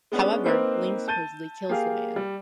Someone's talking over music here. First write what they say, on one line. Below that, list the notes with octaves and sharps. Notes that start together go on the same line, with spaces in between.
However, Ling supposedly kills the man.
G#3 B3 C#4 D4
A#3 C4 D#4 B4 C5
A5 G6 A6 D#7
A#3 G4 G#4 F5
G3